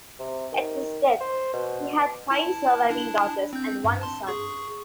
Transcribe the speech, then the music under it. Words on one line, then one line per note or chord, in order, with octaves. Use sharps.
At his death he had five surviving daughters and one son.
C3
D#3
C5
B2
E4 A5
D4 E4 A5
C4 G6
G2
A5 C6
G#4 C#6